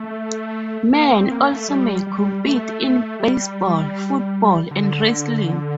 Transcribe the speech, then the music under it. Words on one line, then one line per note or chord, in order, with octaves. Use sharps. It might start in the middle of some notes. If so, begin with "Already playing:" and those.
Men also may compete in baseball, football and wrestling.
Already playing: A3
A#3
C4
A#3
A3
G3
G3
A3
A3
G3
D3